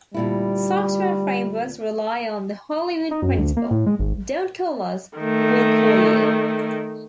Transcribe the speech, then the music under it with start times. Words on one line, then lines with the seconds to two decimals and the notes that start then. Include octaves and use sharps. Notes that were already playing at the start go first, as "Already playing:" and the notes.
Software frameworks rely on the Hollywood Principle: Don't call us, we'll call you.
0.14 D2 A#2 G3 E4
3.11 D#4
3.22 F#2
3.38 D2
3.57 A#3
3.71 A2
3.86 G#3
3.99 G#1
5.18 D#3 A3